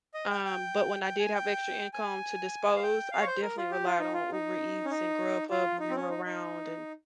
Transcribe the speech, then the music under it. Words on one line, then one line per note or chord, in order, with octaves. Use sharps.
um, but when I did have extra income to dispose, I definitely relied on Uber Eats and Grubhub when they were around and
D#5
G5
G5
G5
G#5
G5
G#5
F5
G5
F5
C#5
C5
A#4
F4
G4
F4
D#4
F4
D#4
C#4
D#4
F4
D#4
C4
C#4
D#4
D#4